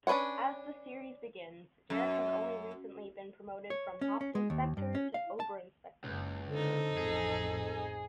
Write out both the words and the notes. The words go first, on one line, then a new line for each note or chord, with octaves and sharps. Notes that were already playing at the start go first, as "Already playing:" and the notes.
As the series begins Derrick has only recently been promoted from "Hauptinspektor" to "Oberinspektor".
C#4 D4 B4 C#5 F#5
F#2
C#5
C#4
C#4
G#3
D#2
G2
C#4
F5
A5
F#1 C#2
D3 C4 D#4 A4
A1 F2 G#4